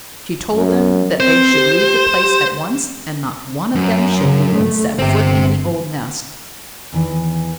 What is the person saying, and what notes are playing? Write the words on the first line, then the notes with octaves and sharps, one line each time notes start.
She told them that they should leave the place at once, and not one of them should even set foot in the old nest.
F#2
C4 C5
G4
G4
F#2
C#3
A3
G1 C4 G4
E2 D#3 E3